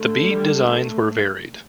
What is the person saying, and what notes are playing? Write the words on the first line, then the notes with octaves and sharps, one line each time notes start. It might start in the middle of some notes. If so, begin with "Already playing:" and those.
The bead designs were varied.
Already playing: D3 A3
G3
A3